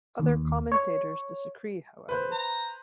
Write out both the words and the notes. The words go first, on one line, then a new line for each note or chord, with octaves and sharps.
Other commentators disagree however.
D#2
C#5
B4 C5
A#5